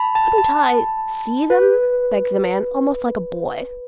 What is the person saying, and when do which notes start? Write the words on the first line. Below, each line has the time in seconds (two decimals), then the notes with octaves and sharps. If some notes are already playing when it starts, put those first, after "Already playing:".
"Couldn't I see them?" begged the man, almost like a boy.
Already playing: A5 B5
0.15 A5
0.38 A5
1.50 B4